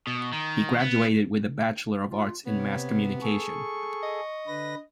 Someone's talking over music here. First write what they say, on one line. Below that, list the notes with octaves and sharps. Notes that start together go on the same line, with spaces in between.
He graduated with a Bachelor of Arts in Mass Communication.
B2
D#3
B3
F4
C3 B3 C#5
G#4 A4 C#6
D#5
D3 B4 A#6